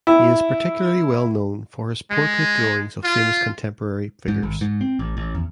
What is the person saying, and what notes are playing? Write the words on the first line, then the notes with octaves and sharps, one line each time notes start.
He is particularly well known for his portrait drawings of famous contemporary figures.
E4
G#3
F4
G#2
G#1
G#2
C4
A1
A1
E2